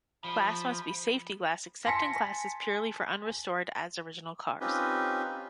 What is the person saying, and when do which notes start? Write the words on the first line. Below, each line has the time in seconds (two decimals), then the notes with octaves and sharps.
Glass must be safety glass except in classes purely for unrestored, as-original cars.
0.25 F3 B5
1.86 G#5 A5 C6 A#6 B6 C#7
4.61 C4 C#4 D#4 F4 G4 B4